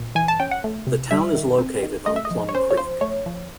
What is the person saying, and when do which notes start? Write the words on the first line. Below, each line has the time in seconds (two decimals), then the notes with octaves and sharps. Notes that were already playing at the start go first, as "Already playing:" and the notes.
The town is located on Plum Creek.
Already playing: A#2 A#3
0.15 E3 G#5
0.28 A5
0.40 C#4 G5
0.51 F#5
0.64 A3
0.87 C3
1.11 G3 E5
1.35 D#3
1.58 C4
1.83 D#3
2.06 A3 D#5
2.16 E5
2.25 D#5
2.31 F3
2.49 C#5
2.54 C#4 C5
2.71 C#5
2.77 F3 C5
3.01 A3 C#5
3.26 F3